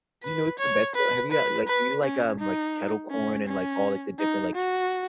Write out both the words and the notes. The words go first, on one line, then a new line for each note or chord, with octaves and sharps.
do you know what's the best, though? Have you, uh, like do you like, um, like, kettle corn and, like, all, like, the different, like,
B4
C#5
B4
B4
B4
C#4
D#4
C#4
C#4
D#4
F#4